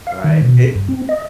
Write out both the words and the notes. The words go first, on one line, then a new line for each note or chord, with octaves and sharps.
Right, i
F5
D#3
B2
G2
C4
D#5